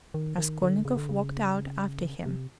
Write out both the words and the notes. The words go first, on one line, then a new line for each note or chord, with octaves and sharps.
Raskolnikov walked out after him.
D#3
D#3
D3
C#3
D3
C#3
C3